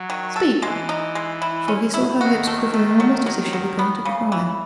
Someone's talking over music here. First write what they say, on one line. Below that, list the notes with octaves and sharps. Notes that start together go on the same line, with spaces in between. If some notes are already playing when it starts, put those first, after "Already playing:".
Speak!' For he saw her lips quivering almost as if she were going to cry.
Already playing: F#3
D#3
A4
E3 G#3
D#4
G#3
E4
C#4
E4
D#3 F#4
A3
A3
F#3
F#3
F#3
B3
C#3
E3